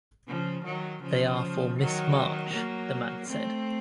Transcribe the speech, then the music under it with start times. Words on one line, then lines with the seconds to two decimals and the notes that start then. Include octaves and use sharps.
They are for Miss March, the man said.
0.27 C#3 F3
0.65 D#3 F#3
1.02 C#3 F3
1.78 D#3 F#3
2.53 F#3 A#3
3.29 A3 C4